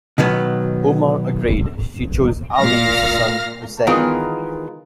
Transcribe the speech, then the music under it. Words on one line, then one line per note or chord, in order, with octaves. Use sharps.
Umar agreed; she chose Ali’s son Husayn.
B2 D#3 F#3 B3
A#2 F5 F6 A#6
D#3 E3 G#3 B3 F4 A#4